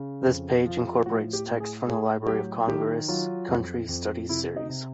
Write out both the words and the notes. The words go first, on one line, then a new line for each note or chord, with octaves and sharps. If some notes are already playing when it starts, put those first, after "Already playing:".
This page incorporates text from the Library of Congress's Country Studies series.
Already playing: C#3
F2
F3
A2 F#4
G4
A2
G#4
A2 G#4
F#3 G4
D#3 G4
F#3 F4
F2
F2
C3 E4
D#4
C3